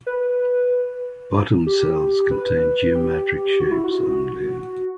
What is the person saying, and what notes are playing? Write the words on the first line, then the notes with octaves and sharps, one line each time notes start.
Bottom cells contain geometric shapes only.
B4
G4
B4
G4
F#4
E4
F#4